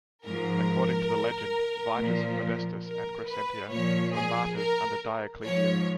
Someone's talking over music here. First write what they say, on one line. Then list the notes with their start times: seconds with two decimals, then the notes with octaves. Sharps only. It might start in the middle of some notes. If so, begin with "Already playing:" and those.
According to the legend, Vitus, Modestus and Crescentia were martyrs under Diocletian.
0.25 G#2 F3 A#4
1.98 A#2 F3
2.84 A#4
3.28 B4
3.71 A#2 F3 C#5
4.15 G#4
4.57 A#4
5.44 G#2 F3 C#5